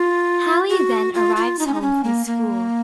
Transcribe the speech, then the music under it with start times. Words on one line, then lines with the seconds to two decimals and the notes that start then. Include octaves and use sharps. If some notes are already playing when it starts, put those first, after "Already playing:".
Hally then arrives home from school.
Already playing: F4
0.69 F#4
1.14 F4
1.36 F4
1.59 D#4
1.67 C#4
1.74 D#4
1.82 C#4
2.04 A#3
2.26 A#3